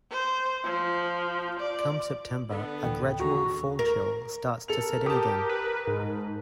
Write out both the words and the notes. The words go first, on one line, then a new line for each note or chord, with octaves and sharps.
Come September, a gradual fall chill starts to set in again.
C5
F3
D5
D3 B3
D2 A2 E3 G5
D#2 D3 G#3 F#4 A#5 C#6
A#4
A4 A#4 F7
G4 A5 D#6
B4
G#2